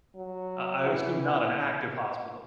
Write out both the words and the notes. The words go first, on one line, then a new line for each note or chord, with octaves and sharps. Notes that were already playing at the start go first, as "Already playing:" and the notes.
I I assume not an active hospital.
F#3
E3